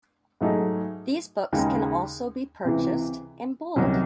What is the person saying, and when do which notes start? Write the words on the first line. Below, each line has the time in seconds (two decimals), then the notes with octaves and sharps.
These books can also be purchased in Bold.
0.41 G#2 F#3 A3 D#4 G#4
1.53 D#2 C#3 G#3 D#4
2.64 C#2 C3 E3
3.76 C2 C3 D#3 F#3 C#4